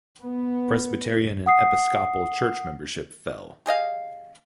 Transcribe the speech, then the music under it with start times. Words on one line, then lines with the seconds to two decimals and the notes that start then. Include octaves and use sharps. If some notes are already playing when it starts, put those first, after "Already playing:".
Presbyterian and Episcopal church membership fell.
0.22 B3
1.46 F#5 D#6 C7
3.66 G4 G#4 D#5 F5